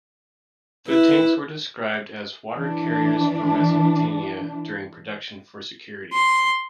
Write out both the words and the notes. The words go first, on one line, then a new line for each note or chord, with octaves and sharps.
The tanks were described as "Water carriers for Mesopotamia" during production for security.
E4 B4
E3 D4
C6